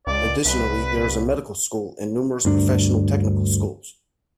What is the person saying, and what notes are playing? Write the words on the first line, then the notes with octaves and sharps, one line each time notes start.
Additionally, there is a medical school and numerous professional technical schools.
C#2 D5
C2 B4
D2 G2 D4